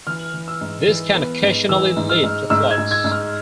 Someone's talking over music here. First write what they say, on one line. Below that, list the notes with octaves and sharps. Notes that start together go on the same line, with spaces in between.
This can occasionally lead to floods.
E3 F6
E3
E6
G#2
E3
B3
G#2
E3 E6
G#2
F6
G#2
G#2 E6
G#6
G#2
G#6
G#2
F6